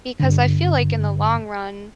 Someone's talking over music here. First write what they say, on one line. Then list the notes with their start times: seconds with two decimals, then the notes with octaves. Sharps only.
because I feel like in the long run,
0.20 G2 D3